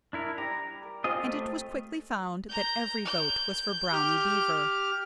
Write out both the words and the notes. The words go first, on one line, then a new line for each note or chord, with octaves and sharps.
And it was quickly found that every vote was for Brownie Beaver.
D4 E4 A#4
G3 A#5
A#4
C4 F4 G#4 D#5
A3
A#5 G6
G6
G4 F6